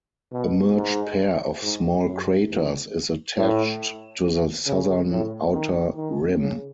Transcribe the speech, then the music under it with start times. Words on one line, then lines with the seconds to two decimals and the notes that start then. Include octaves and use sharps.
A merged pair of small craters is attached to the southern outer rim.
0.32 B2
0.75 G#2
1.62 G#2
2.06 F#2
2.49 E2
3.36 A2
4.66 C#3
5.10 A2
5.53 D#3
5.96 D#3
6.39 C#3